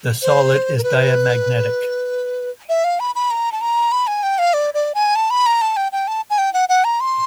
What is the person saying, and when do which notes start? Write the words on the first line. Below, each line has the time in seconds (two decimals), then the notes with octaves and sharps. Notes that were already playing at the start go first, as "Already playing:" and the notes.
The solid is diamagnetic.
0.22 C5
0.78 A#4
0.83 B4
2.69 E5
2.84 F5
3.00 B5
3.15 B5
3.31 A#5
3.52 A5
3.61 A#5
3.92 B5
4.07 G#5
4.23 G5
4.38 F5
4.54 D5
4.74 D5
4.95 G#5
5.16 A5
5.30 B5
5.46 A#5
5.61 A5
5.77 G5
5.92 G5
6.07 A5
6.30 G#5
6.38 G5
6.54 F#5
6.69 F#5
6.84 A#5
7.00 C6